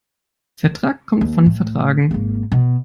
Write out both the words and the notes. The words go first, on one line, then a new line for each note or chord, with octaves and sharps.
Vertrag kommt von vertragen.
D#2
A2
G#1 A#3
B2